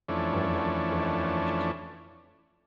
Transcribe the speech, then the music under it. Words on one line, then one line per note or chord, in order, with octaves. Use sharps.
Oh, my gosh.
F2 E3 A3 C#4 D4